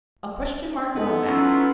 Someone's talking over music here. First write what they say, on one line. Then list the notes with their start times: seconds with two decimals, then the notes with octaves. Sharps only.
A question-mark gone mad.
0.95 B3 D#4 A4
1.26 F#3 C#4 E4 F4